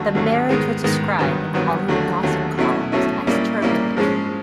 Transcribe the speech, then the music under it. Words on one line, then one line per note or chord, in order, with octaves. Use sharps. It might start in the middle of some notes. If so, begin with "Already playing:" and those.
The marriage was described in Hollywood gossip columns as turbulent.
Already playing: D#2 D3 F#3 A3
D#2 D3 F#3 A3
G#2 D#3 G#3 B3
G#2 D#3 G#3 B3
G2 D#3 F#3 B3
G2 D#3 F#3 B3
D#2 D3 F#3 A3
D#2 D3 F#3 A3
B2 F#3 A3 C#4 E4
B2 F#3 A3 C#4 E4
A#2 G3 A#3 C#4 E4
A#2 G3 A#3 C#4 E4
G#2 F3 G#3 C#4